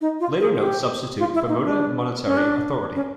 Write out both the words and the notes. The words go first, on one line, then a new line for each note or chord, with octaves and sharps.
Later notes substitute "Bermuda Monetary Authority".
D#4
F4
G#4
G4
F4
E4
D#4
D4
C#4
D4
C#4